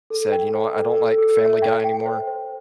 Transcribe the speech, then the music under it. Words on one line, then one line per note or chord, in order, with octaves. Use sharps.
said, "You know what? I don't like Family Guy anymore."
A4
G5
C5
A4
A4
A4
E5
G5
G5
C5
C5